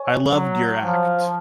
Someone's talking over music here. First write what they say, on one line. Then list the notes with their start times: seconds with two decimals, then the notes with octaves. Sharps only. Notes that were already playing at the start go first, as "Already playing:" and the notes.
I loved your act.
Already playing: C#5 G#5 C#6
0.29 F#3
0.82 F3